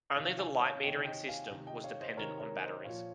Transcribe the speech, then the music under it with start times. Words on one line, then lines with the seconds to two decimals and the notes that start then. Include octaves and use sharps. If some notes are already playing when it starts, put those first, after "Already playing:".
Only the light metering system was dependent on batteries.
0.16 C3 D#3 C#5 F5
0.38 F5 G#5
0.61 C#5 F5
0.83 C3 D#3 D#5 G5
1.05 D#5 G5
1.28 F5 G#5
1.51 C3 D#3
1.67 D#5 G5
1.84 C#5 F5
2.00 C5 D#5
2.17 C3 D#3 A#4 C#5
2.40 A#4 C#5
2.62 C5 D#5
2.84 A#2 F3 C#5 F5